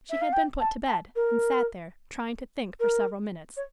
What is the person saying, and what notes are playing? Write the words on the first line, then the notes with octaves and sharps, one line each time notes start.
She had been put to bed, and sat there, trying to think for several minutes.
E5
F5
G5
A5
A5
A#4
A#4
C#5